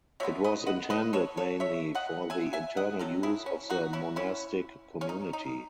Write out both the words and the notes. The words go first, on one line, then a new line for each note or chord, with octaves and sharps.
It was intended mainly for the internal use of the monastic community.
B2 G#3 B3 C#5 E5
B4 D#5
D#5 F#5
B4 D#5
A4 C#5
A4 C#5
C#5 E5
D#5 F#5
E5 G#5
E5 G#5
D#5 F#5
D#3 F#3 A3 A4
E4 G#4
C#4
D#4 F#4
C#4 E4
C#4 E4
C#4
D#4
D#4